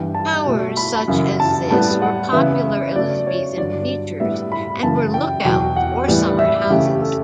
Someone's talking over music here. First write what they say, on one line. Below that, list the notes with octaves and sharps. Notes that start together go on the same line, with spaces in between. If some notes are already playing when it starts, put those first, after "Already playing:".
Towers such as this were popular Elizabethan features and were lookouts or summer houses.
Already playing: G2 E3 B3 G5
A5
B2 A3
B5
F#2 C#3 E3
A5
A2 G3 B3 A5
F#5
C#3 E3 B3 E5
C#3 F#3 A3 D5
C#5
G2 D3 F#3 D5
A2 G3 B3 E5
B5
F#2 C#3 E3 A5
G5
E2 B2 F#3 G5
F#5
A2 E3 G3 B3
E5
C#3 E3 A3 G4
A4